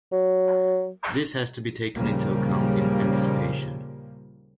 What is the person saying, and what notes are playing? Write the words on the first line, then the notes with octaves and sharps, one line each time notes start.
This has to be taken into account in anticipation.
F#3
D#2 A#2 C#3 F3 G3 A#3